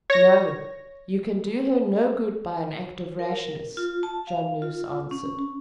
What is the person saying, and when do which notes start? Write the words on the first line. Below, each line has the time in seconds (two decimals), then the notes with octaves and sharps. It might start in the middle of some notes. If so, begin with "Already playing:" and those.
"No; you can do her no good by an act of rashness!" John Nurse answered.
0.10 C#5 A#6
3.19 A#4
3.77 F4
4.03 A5
4.27 F5
4.62 F4
5.11 C#4